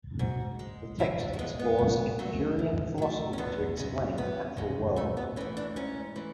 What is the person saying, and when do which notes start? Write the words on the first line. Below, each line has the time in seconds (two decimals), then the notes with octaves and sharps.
The text explores epicurean philosophy to explain the natural world.
0.19 G#2 F#4
0.59 G#3
0.99 G#2 E4
1.20 D4
1.33 A3
1.39 G#3 B3
1.59 B3
1.78 G#2
2.19 F#3 A3
2.59 G#2
2.98 F#3 A3
3.33 C#4
3.38 E2 B3
3.77 C#3 G#3
4.18 E2 B3
4.57 C#3 G#3
4.96 G#2 A3
5.17 B3
5.36 E3 A3 C#4
5.57 D4
5.76 G#2 C#4
6.16 E3 A3